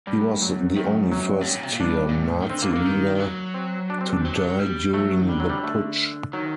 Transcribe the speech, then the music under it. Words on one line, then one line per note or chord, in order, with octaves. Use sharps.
He was the only first-tier Nazi leader to die during the Putsch.
G2 G3
F#2 F#3
F#2 D#3
F#3
A2
G2
A#2
C3
A#2
G2 D4
A#2
A2
D#3
D3 C4
A#3
D3 A#3
D#3
D#3
F#3
C4
D4
C4
D4
D#3
F#3 C4
D4
G3
F#3 A3
D#3
D3 G3
F#3
G3
A3
D#3 F#3